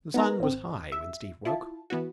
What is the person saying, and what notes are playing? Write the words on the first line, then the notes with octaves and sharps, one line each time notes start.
The sun was high when Steve woke.
B3 D#4 A#4 A#5
G#1 C4
E5
E4 F4 A5
E3 B3 E4 F#4